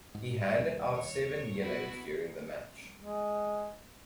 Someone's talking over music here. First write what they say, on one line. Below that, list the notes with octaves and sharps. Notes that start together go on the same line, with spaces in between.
He handed out seven yellows during the match.
G#2
D#2 C3 G3
C#5
B3 E4 F#4
G#3